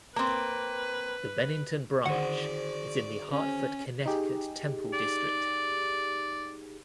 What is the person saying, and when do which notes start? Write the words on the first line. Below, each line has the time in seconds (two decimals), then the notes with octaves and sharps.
The Bennington Branch is in the Hartford Connecticut Temple District.
0.16 A#3 C4 B4
2.06 D3 D#3 F#4 G#4 C5 D5 F#5
3.31 C#4
4.06 D#4 G4 G#4
4.93 D5